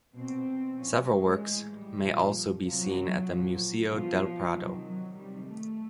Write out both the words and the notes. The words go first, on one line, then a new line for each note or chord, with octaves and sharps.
Several works may also be seen at the Museo del Prado.
B2 C4
A#2 F3 C#4
G#3
A2 E3
G3
A#2 F3
C3 F3 F#3
A#2 F3
B2 F3
C3 D#3 F#3
F#3
C3 D#3 G3
A3